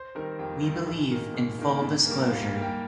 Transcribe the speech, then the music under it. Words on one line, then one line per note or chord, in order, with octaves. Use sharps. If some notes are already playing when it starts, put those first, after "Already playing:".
We believe in full disclosure.
Already playing: C5 C6
D#3 G3 C4 A#4 A#5
F2 G4 G5
D#3 G3 C4
G#2
D#3 A#3
G#2
D#3 A#3
G#2
G3 A#3
G#2 F5
G3 A#3
G4 G5